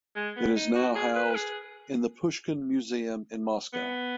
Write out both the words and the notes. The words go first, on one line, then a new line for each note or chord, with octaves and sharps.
It is now housed in the Pushkin Museum in Moscow.
G#3
B3
D#4
F#4
G#4
B4
B4
G#4
B3